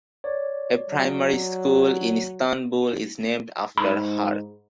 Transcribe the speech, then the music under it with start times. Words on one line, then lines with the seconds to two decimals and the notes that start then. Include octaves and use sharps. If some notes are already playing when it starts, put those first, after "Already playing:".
A primary school in Istanbul is named after her.
0.24 C#5 D5
0.90 F#3
3.78 G#2 B5